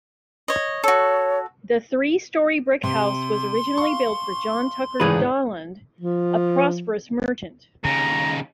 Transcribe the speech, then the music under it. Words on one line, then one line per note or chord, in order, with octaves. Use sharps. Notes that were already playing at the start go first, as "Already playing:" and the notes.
The three-story brick house was originally built for John Tucker Daland, a prosperous merchant.
C#5 D#5
F#4 A4 C#5
C3 C6
F5 C#6
G#1 C#2 A2 E3 G#4 B4
F3
D#2 C#3 A#5